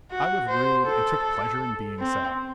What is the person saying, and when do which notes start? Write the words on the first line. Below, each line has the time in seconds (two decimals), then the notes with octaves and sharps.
I was rude and took pleasure in being so.
0.12 F#4
0.49 C5
0.87 A4
2.00 C4